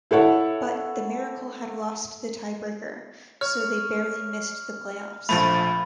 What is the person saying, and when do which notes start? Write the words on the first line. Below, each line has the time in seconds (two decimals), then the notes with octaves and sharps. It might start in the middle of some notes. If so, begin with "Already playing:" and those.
But, the Miracle had lost the tie-breaker, so they barely missed the playoffs.
0.11 E4 A4 C#5 F#5
3.41 C#5 F6
5.29 A#1 F3 A3 B5 G#6 A6